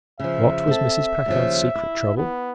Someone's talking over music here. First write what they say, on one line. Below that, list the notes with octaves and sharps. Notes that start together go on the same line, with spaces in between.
What was Mrs. Packard's secret trouble?
C#3 F3 E5
C4 A4
D#2 C#3 F3
E4
B3